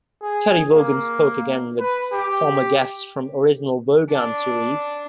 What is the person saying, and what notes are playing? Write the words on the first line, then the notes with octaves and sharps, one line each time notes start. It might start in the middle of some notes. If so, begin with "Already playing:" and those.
Terry Wogan spoke again with former guests from original 'Wogan' series.
G#4
A#3
B4
G4
D4